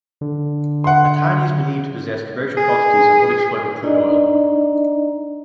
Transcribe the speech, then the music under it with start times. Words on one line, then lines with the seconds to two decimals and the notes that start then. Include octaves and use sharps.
Atani is believed to possess commercial quantities of unexploited crude oil.
0.21 D3
0.84 F#5 C6
2.57 G#4
3.83 D4 D#4 D5 D#5 A#5